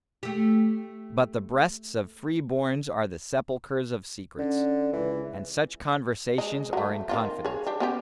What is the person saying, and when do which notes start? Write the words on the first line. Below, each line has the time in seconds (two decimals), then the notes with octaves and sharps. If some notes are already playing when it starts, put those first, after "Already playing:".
But the breasts of free-borns are the sepulchres of secrets' and such conversations are in confidence.
0.23 A3 G4
4.39 D3 C#4
4.93 C#2 E3
6.38 G#3 D#5
6.73 F#3 A3
7.09 D#3 C4 F4
7.45 G#4 C#5
7.67 D4 G4
7.80 B3 C#4 G4